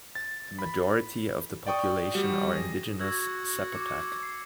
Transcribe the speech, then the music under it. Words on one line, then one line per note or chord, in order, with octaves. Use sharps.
The majority of the population are indigenous Zapotec.
A6
B5
D5 G5 C#6 D#6
G3 F#4
G#4 A#6
F#4 E6 G#6
D6 C#7
C7